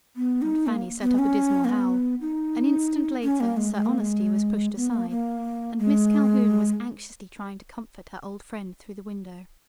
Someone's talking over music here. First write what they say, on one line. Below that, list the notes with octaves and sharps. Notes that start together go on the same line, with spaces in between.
Aunt Fanny set up a dismal howl; an instant later Sir Honesty was pushed aside, and Miss Calhoun was anxiously trying to comfort her old friend through the window.
B3
D#4
A#3
B3
C#4
A#3
B3
D#4
C#4
A#3
G#3
G#3
A#3
G#3
B3
A#3
A#3
G#3